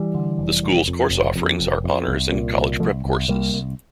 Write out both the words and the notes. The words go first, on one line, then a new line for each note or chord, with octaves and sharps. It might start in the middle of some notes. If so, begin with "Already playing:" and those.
The school's course offerings are honors and college-prep courses.
Already playing: E3 G3
D3
F1
F1
F2
F1
F2
F1
F2
C2
A#2
C2
C2 F3 A3
C2
C2 G3 A#3
C2